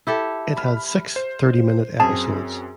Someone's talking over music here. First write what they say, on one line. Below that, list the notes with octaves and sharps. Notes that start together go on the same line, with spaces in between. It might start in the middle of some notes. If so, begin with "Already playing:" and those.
It had six thirty-minute episodes.
E4 G4 A4
B5 F6
C5
F#2 C4 G#4 A5